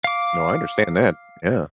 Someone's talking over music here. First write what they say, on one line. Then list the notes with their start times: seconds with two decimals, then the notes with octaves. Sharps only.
No, I understand that. Yeah.
0.04 F5 D6